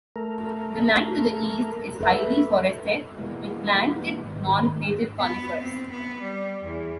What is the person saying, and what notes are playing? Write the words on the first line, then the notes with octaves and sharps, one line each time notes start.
The land to the East is highly forested with planted non-native conifers.
A3 A#4
A4 B4 E5
B2 E3 G3 G#3 A#3 B3
G#1 A2 D#3
B3
C4
B3
G3
E2